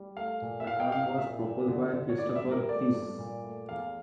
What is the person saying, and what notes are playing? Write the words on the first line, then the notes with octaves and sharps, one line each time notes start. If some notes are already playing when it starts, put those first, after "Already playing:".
The term was proposed by Christopher Hsee.
Already playing: G3
A3 F5
A#2
E5
A2 F5
G5
A2 F5
F5
A#2 E5
A#2
D3
D3
C#5
A2 D5
D5
E5
G3
A#4
A3 D5
G2
A#2
A3
E2 F5